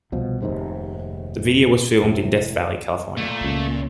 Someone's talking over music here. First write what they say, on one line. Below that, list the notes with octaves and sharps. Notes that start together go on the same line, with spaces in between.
The video was filmed in Death Valley, California.
C2 B2 F3
F1 D#2 G#2 C3
F1 A2 C3
A#2 A3
C#2